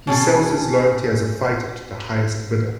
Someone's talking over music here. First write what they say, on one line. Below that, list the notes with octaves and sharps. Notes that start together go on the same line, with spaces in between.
He sells his loyalty as a fighter to the highest bidder.
B2 C#4 G#4 A4